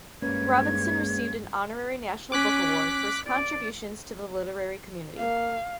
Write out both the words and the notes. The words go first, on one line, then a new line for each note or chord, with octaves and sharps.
Robinson received an honorary National Book Award for his contributions to the literary community.
G2 G#3 A#3 C#4 B4 G#6
C#4 D6 F#6 B6
D5
A#3 F5